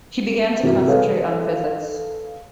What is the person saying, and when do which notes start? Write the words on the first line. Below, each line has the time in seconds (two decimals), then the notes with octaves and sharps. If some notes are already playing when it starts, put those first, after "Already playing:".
He began to concentrate on physics.
0.63 C3 E3 F#4 A#4
0.87 G#4 A4 B4 C#5 F5